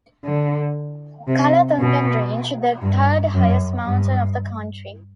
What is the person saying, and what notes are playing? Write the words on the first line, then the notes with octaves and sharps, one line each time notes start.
Kalatungan Range, the third highest mountain of the country.
D3
C3
B2
G2
F#2
G2